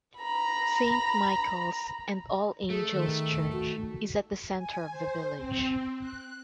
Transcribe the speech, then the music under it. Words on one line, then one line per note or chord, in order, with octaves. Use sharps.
Saint Michael's and All Angels' Church is at the centre of the village.
A#5 B5
A3 G#4
D#3
F#4
G#5
C5
C4
F#6